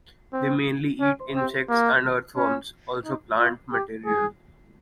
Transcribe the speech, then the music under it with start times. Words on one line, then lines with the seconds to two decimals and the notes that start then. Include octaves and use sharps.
They mainly eat insects and earthworms, also plant material.
0.33 C4
1.01 C#4
1.36 C4
1.69 A#3
2.36 C#4
3.05 D#4
3.39 F4
3.72 G4
4.06 G#4